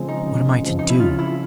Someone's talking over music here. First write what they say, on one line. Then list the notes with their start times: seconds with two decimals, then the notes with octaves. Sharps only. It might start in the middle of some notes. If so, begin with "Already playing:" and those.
"What am I to do?"
Already playing: C#3 F3 G#3 C4
0.08 D#4
0.26 C#3
0.64 F3 G#3 C4
0.79 D#4
0.89 E4
1.00 C#3 F4
1.19 E4